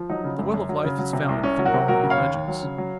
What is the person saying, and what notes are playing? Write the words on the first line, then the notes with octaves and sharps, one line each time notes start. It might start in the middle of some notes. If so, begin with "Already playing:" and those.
The Well of Life is found in Fingalian legends.
Already playing: F3
F#3 D#4
C#3
F#2
F#2
F#3
C#3
F#3
C3
C2
C2 C#4
F#3
F#4 A#4
C3
F#3 F#4 A#4
C#3
C#5 F5
D#2
D#2
F#3
C#3
F#3